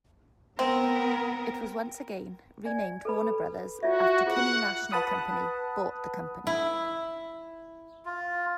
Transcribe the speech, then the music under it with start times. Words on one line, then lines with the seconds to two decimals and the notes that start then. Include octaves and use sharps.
It was once again renamed Warner Brothers after Kinney National Company bought the company.
0.59 B3 C4 A#4
2.65 D5 G#5
3.05 A4 B4 B5
3.83 F4 F#4 C#5 E5
4.26 F4 G#4 C5 F#5
4.91 B4 F#5 A5 B5 D#6 F#6
6.47 E4
8.06 F4